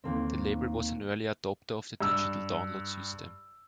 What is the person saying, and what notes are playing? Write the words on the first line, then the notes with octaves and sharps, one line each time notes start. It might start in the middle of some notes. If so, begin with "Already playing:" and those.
The label was an early adopter of the digital download system.
D#2 A#3 C4
G2 E6